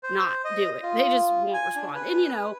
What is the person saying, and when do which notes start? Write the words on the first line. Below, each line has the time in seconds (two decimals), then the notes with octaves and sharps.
not do it. They just won't respond, and, you know
0.03 C5
0.45 D#5
0.83 F4
1.54 G#5
1.76 D4
1.95 B4